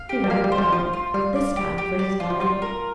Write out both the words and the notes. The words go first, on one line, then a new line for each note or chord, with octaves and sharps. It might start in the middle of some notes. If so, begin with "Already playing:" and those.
He rang the bell, this time for his valet.
Already playing: F5
G4
G3
A#3 F5
G3
C5
G3
F3 F4
F4
G3 F5
D5
G4
G4
D5
F4
F3
G3 F4
A#4